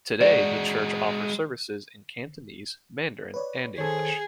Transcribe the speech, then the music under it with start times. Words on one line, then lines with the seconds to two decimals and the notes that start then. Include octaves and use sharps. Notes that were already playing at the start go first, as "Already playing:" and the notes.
Today the church offers services in Cantonese, Mandarin and English.
0.21 G#3 F#4 D5
3.34 B4 C#5 D5
3.78 D#3 G#4 A4 C5 C#5 G#6